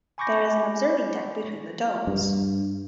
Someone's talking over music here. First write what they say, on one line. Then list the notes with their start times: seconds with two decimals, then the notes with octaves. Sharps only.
There is an observing deck between the domes.
0.18 G#5 B5 C#6 D6 G6 A#6
2.07 G2